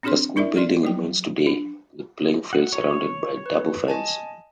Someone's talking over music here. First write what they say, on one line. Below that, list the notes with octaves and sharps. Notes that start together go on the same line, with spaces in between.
The school building remains today, with playing fields surrounded by a double fence.
C4 D4 F#4 G#4 C#5 C6
D4 E4 A#4 D5 E5
G#4 D5 C6
F3 F#3 G5
D4
F#5
C#5
B4
D#5 G#5 A5